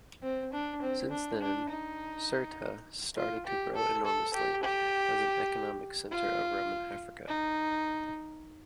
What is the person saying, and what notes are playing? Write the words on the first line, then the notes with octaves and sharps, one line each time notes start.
Since then Cirta started to grow enormously as an economic center of Roman Africa.
C4
D4
C4
D4
D4
D#4
F4
G4
A4
A4
G4
G4
F4
D#4